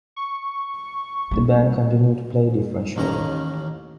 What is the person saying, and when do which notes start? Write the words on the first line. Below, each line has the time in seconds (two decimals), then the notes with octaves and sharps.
The band continue to play different shows.
0.16 C#6
1.31 G3 A#3
2.96 A1 D#2 D#3 C#4 A#5